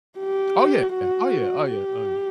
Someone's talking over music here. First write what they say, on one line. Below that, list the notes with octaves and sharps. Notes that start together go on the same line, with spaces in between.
Oh, yeah, yeah. Oh, yeah, oh, yeah, oh, yeah.
G4
F#4
G4